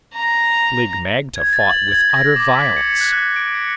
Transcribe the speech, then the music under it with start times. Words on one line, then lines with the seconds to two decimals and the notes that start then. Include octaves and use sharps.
Lig-magte fought with utter violence.
0.13 A#5
1.36 G#6
1.53 A6
1.70 F#7
1.88 G#6
2.11 A#6
2.36 D6
2.55 B6
2.77 C#7
3.01 F#6
3.12 F#6
3.36 D7
3.55 C#7